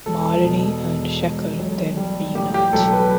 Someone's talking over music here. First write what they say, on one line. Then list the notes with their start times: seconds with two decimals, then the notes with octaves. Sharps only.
Malini and Shekhar then reunite.
0.06 E1 A4
0.44 B2
0.82 E2
1.21 E1
1.59 B1
1.97 G3
2.35 A2 G4
2.54 G4
2.73 B1 A4
2.92 B4